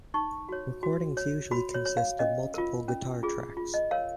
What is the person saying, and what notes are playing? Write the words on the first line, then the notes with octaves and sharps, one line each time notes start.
Recordings usually consist of multiple guitar tracks.
D#4 C#6
F#4 C#5
F#4
C#5
F#4 B5
C#5
C#5
F5
C#4 D#5
F4 A#4
C#4
F4 G#4
F4
D#5
A#4 C#5 F5